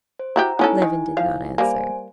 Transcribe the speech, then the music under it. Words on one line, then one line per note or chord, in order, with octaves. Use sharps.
Levin did not answer.
C5
E4 F#4 G4 A#5
B3 C#4 D#4 E4 A4 G#5
D#3
F3 F5
G3 A#3 C5 G#5